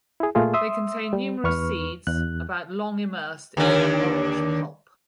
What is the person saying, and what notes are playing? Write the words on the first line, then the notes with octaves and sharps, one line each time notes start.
They contain numerous seeds about long immersed in an orange pulp.
E4 G#4
A#2 A3 F4 G#4
E5 C6 D#6 E6
G3
E2 B4 C#6 F6
E2 F#6
D#2 D3 D4